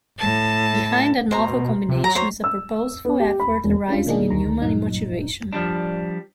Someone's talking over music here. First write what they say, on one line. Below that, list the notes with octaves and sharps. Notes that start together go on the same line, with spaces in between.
Behind that novel combination is a purposeful effort arising in human motivation.
A2 A5
B2 C5 A#5
C3
F#3 A#5
C5 C#5 A#5
E6
B3
G4
B5
E1
G#3 C#4 D4 F4
B2 D#3 A#3 D4 D#4 G#4
D2 D#3 A#5
G2 A#2 F#3 D#4
F3 G3 D4